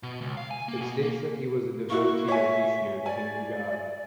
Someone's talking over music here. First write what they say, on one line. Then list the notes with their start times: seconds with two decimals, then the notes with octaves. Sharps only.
It states that he was a devotee of Vishnu, the Hindu god.
0.03 B2
0.21 C#2
0.37 F5
0.51 G#5
0.68 A#3
0.81 B2
1.03 A#3
1.89 A#3 E4 F#4 C#6
2.28 C#5 E5 G#5
3.06 D5 G#5